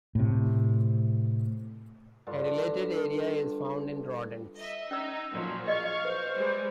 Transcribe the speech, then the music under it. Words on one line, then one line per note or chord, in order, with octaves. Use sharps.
A related area is found in rodents.
A2 C3
G2 D3 F4
D#5 E5
C#4 D#4 D5 E6
A#2 F3 F#3
G#4 D5 D#5 F5 C#6
B4 C5
G3 G#3